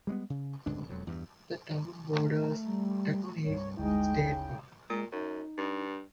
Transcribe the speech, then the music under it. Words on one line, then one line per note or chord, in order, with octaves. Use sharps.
The town borders Taconic State Park.
G3 G#3 A#3 B3
C#3
D1 G1 C#2 D4
E1 F2 F#3
E2 G2
A3 A#5
G3
C2 G2 C#5
G1 D2 G#3 D#4 E4 G5
C#3
A#2 G#3
F#2 D#4
G2